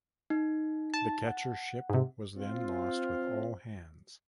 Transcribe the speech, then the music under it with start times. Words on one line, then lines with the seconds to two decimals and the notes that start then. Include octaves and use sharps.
The catcher ship was then lost with all hands.
0.30 D#4
0.94 A5
1.27 F#5
1.90 G#2 C3
2.37 C4 F4